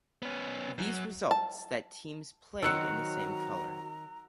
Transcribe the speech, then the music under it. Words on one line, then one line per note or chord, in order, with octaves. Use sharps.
These results that teams played in the same color.
B3 C#4
F#2 F#3
A5
D#3 F#3 C4 F#4 A#5 E6 F#6 C#7